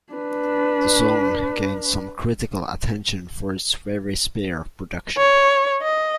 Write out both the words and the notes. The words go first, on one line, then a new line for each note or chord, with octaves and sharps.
The song gained some critical attention for its very spare production.
D4 B4
C#5
D#5